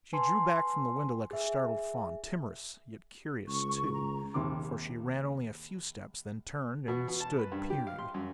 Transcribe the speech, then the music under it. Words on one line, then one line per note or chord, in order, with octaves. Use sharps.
She drew back from the window like a startled fawn; timorous, yet curious, too, for she ran only a few steps, then turned and stood peering.
B4 G#5 A5 C6
G#4 E5
C#2 C#6
A#5
A#1 D#2 C3 C6 D6
B2
B2
A5
B4
G2
G4
F5
C6
F#2